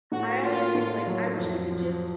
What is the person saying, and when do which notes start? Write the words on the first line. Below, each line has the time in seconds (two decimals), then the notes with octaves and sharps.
I always think, like, I wish I could just
0.12 A2 F#4
0.44 A#3 F4
0.75 A2
1.07 F#3
1.38 F2
1.71 F3